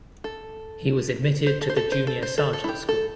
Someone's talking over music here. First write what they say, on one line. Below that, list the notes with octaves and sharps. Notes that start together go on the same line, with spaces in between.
He was admitted to the junior sergeant school.
A4
C5
A4
C5
A4
C5
A4
C5
A4
A4
E4
G4
A4